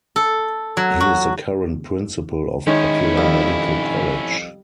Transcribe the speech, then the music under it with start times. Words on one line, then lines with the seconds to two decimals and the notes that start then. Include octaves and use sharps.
He is the current Principal of Popular Medical College.
0.16 A4
0.77 F#3
1.00 F#4
2.67 D#3 G#3 C#4 D#4 E4 C#5
3.18 F2 G3